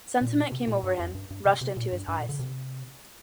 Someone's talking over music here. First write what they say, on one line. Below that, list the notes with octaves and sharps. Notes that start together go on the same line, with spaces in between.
Sentiment came over him, rushed into his eyes.
A#2
C3
A#2
G2
F2
G2
G2
C3
C3
A#2
G2
G2
A#2
D3
C3